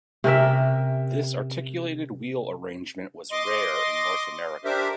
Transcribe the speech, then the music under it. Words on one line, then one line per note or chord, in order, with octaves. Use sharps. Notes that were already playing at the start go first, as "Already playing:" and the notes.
This articulated wheel arrangement was rare in North America.
C3 C#4 A#4 E5
D#5 C6 D6
D4 G4 A#4 C5 E5